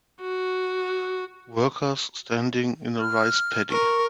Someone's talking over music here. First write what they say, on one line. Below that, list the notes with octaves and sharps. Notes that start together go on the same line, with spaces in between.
Workers standing in a rice paddy.
F#4
F6
A#4 C#6